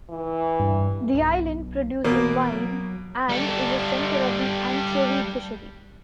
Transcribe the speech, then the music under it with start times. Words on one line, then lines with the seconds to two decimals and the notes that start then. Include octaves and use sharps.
The island produces wine, and is a centre of the anchovy fishery.
0.10 E3
0.60 G2
1.14 B1
2.04 B2 E3 A#3
2.52 F#3
3.29 G3 A4